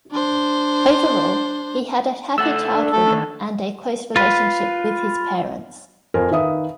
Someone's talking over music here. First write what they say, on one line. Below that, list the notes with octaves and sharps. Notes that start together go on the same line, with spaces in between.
Overall, he had a happy childhood and a close relationship with his parents.
D4 C5
A3 A4 F#5 E6
D4
A3 A4
D#3 D4
F4 B4
F2 F4 A#4 C5 G#5
D#3 B4 E5 F5 D#6